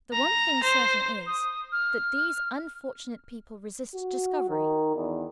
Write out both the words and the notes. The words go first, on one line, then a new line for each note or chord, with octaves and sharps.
The one thing certain is, that these unfortunate people resist discovery.
A#5
C5
D#6
F6
F#4
D#3
E2